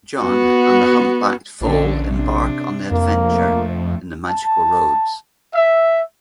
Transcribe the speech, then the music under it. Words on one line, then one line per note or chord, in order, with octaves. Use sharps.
John and the Humpbacked Foal embark on an adventure in the Magical Roads.
B3 F#4
A#1 D3 C#4 D4
C3 D4
F2 A#3
F3 A3
A5
E5